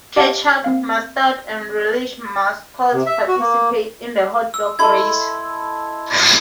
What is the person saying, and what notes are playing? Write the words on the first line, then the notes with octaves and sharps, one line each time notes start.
Ketchup, Mustard, and Relish mascots participate in the hot dog race.
G4 D#5 F5 F#5 A5 D7
A#3 C4 F5
C3
E5
F#4
A#3
E6
E4 A4 D#5 C6 G#6
D#6 D7